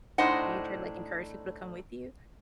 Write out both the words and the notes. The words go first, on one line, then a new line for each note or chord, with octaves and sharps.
do you try to, like, encourage people to come with you?
A2 D4 D#4 C5 D#5 F#5